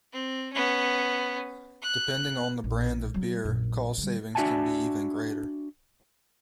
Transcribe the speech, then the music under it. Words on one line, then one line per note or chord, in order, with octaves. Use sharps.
Depending on the brand of beer, cost savings can be even greater.
C4
B3 C#4
F#6
A#1
F#3 C4
A#1 F#2
D3 G3
D4 F#4 E5 F#5 G#5 A5